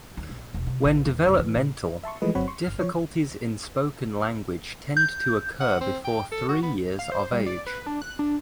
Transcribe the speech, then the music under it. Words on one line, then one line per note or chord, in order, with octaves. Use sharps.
When developmental, difficulties in spoken language tend to occur before three years of age.
D#2
A#1
E1
C3
A1
E2
F1
E3
A#2
E5 A5 C6 C#6
E3 F3 G#3 A3 B4 D#5
G1 F#3 C4 C#5 F#5 B5
C6 C#6
G1 F6
F3 C#5
G6
F#5
C4
G5
A4
F#4
B3
F5
C5
G3
D5
B4
D4
F#6
D4